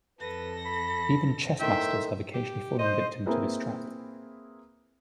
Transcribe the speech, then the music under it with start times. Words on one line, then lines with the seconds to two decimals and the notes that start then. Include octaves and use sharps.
Even chess masters have occasionally fallen victim to this trap.
0.19 F2 A4 B4 A#6
0.65 B5
1.60 A2 D#3 C5 E5 G5
2.34 G4
2.79 C5 D#5
3.26 A#3 C4 E4 G#4 A#4 B4